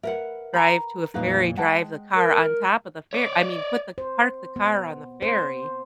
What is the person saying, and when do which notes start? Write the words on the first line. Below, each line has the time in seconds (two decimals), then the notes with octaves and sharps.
drive to a ferry, drive the car on top of the ferr I mean, put the park the car on the ferry.
0.03 A#4 B4 E5 F#5
0.54 A#5 B5
1.14 F2 A#2 G#3 D#4 B4 F5
1.57 G#3 F#5 G5 A5
2.17 A#4
3.13 C#5 D5
3.98 C5
4.56 B3
5.22 C5